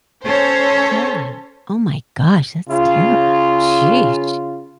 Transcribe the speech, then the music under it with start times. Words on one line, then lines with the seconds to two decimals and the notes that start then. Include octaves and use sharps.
Yeah. Oh my gosh, that's terrible. Sheesh.
0.25 C#4 A4 C5 C#5
2.68 C#3 F4